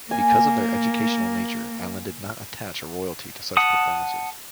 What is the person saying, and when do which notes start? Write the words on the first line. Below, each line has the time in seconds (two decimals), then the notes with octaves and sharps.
Because of their educational nature, Allen did not attach a royalty to such performances.
0.11 A#3 G#5
3.57 F#5 A5 D#6